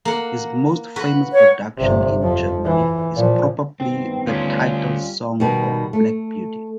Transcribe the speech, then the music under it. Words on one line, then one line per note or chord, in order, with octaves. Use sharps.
His most famous production in Germany is probably the title song of Black Beauty.
A#3 F#5
F#4 B4
C#5
G1 C3
F2 F3
E3
A#2 F3
G2 D#3 B3 C4
D2 G3 C#4 F4
B2 D#3 G3
A3